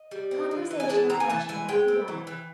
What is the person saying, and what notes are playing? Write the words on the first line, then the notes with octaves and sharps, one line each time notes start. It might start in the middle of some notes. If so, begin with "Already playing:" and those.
Conversation at luncheon about the yacht.
Already playing: D#5
G3
C4
E3
E3
G#5
G#3 A5
C4 A#5
G#5
E3 A5
E3 G#5
G#3 G5
C4
E3
E3